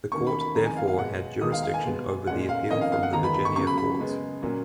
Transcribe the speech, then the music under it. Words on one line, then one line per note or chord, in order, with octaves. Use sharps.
The Court therefore had jurisdiction over the appeal from the Virginia courts.
D#2 D#3 A#3 C#4 C#6
B5
B5
F2 D#3 G#3 A#5
G#5
F5
F5
B2 G#3 B3 F#5
D#2 D#3 G#3 B3 D#6
F5
F5
G#5
B2 G#3 B3
A#2 G#3 C#4 F#5
F5
F2 D#3 A#3 C#4 D#5
F5
F5
F#5
D#2 D#3 G#3 B3 A#5
B5
B5
C#6
F#2 C#3 F#3 C#6
B5
B5
F#2 C#3 G#3 B3
A#2 F#3 A#3 C#4